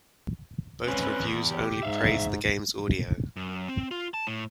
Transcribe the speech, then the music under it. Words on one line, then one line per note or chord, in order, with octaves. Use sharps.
Both reviews only praised the game's audio.
G#2 C4 C#4 B4
E2
G4
G#2 E5 F5
F#2
C4
F4
A5
A2